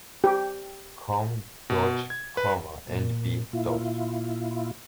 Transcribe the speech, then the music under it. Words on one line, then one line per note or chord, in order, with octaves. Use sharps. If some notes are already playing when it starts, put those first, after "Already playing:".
Com., and B.
G4
B2
G#6
B4
A#2
A#2 E4 F4